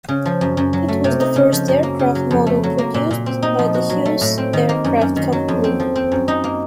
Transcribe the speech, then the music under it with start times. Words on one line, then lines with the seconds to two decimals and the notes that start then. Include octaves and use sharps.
It was the first aircraft model produced by the Hughes Aircraft company.
0.08 C#3
0.26 F3
0.41 F#2
0.57 F#2
0.73 F#3
0.88 A3
1.04 C3
1.20 D#4
1.36 C#3
1.52 F3
1.68 F#2
1.83 A#3
1.99 C#3
2.15 F#3
2.31 F2
2.47 A3
2.63 F#3
2.78 A#3
2.94 A#2
3.11 A#2
3.26 C4
3.42 D#4
3.59 F3
3.74 F#4
3.89 F#3
4.05 A3
4.21 A2
4.38 C4
4.53 D#3
4.69 A#3
4.84 F#2
5.01 F#2
5.16 D#3
5.32 F#3
5.48 F2
5.64 C4
5.80 F3
5.95 C4
6.12 F#2
6.28 D#4
6.44 A#3